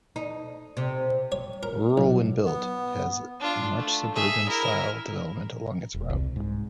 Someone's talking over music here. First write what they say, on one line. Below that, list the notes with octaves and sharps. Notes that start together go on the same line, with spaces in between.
Rural when built, it has much suburban-style development along its route.
D#4
C3
C#5
A#4
B1
B3
D4 F4
A3
G#4 E5
E4 A#4
E1
C2
G#2